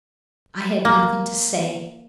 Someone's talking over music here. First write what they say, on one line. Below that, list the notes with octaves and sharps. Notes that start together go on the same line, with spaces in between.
I had nothing to say.
A#3